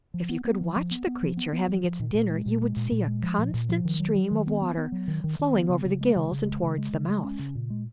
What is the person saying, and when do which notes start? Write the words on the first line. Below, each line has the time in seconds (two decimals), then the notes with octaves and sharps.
If you could watch the creature having its dinner, you would see a constant stream of water flowing over the gills and towards the mouth.
0.14 F3
0.29 B3
0.45 B3
0.61 F3
0.76 F3
0.91 B3
1.07 B3
1.23 F3
1.37 B3
1.53 B3
1.68 F3
1.84 F3
1.99 A#2
2.14 A#2
2.30 G#3
2.46 A#2
2.62 G#3
2.77 A#2
2.92 A#2
3.07 G#3
3.22 F3
3.38 A#2
3.54 A#2
3.69 F3
3.85 D#3
4.00 F#3
4.15 F#3
4.31 D#3
4.47 B3
4.61 B3
4.77 B3
4.92 F#3
5.08 D#3
5.24 D#3
5.39 D#3
5.55 B3
5.69 C#3
5.85 C#3
6.01 G#3
6.16 C#3
6.32 C#3
6.47 G#3
6.63 C#3
6.78 G#3
6.93 C#3
7.09 G#3
7.24 C#4
7.39 C#3
7.55 A#2
7.70 G#3